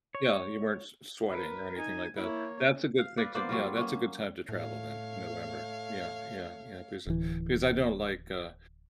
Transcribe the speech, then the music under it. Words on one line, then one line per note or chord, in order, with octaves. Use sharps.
Yeah, you weren't s sweating or anything like that. That's a good thing to Yeah, that's a good time to travel then- November. Yeah, yeah, yeah because I because I don't like, uh,
C#5
A#4 B4
D#4 G#5
A#3 E4 C#5
F5
B4 D5 F5
A#3 B3 C5 D5
F#3 G3 F4
A#3 C#4
A2 A3 C#5 F5
D1 E3